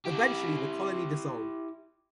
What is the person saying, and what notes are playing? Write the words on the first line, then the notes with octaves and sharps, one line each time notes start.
Eventually the Colony dissolved.
E4 G4